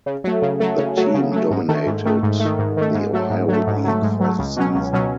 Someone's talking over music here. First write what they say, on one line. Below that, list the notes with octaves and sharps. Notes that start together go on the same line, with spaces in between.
The team dominated the Ohio League for the season.
C#3
F#3 A3
C#3
F#3 A3
C#3
F#3 A3
C#3
F#3 A3
G#2
D#3 A3
G#2
D#3 A3
G#2
A3
D#3
G#2
D#3 A3
G#2
F#3 A3
G#2
F#3 A3
G#2
F#3 A3
G#2
F#3 A3
C#2
B2 F#3 C#4
C#2
B2 F#3 C#4